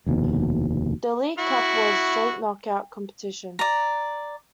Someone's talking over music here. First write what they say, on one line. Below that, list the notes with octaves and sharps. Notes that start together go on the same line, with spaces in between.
The League Cup was a straight knock-out competition.
F1 D#2 B2
E4 F#4
D5 A#5